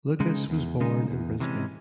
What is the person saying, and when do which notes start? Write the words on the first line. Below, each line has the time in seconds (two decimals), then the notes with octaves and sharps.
Lucas was born in Brisbane.
0.20 C#3 G#3 D#4
0.50 E2
0.80 C#3 G#3 D#4
1.11 E2
1.40 C3 E3 G#3 C#4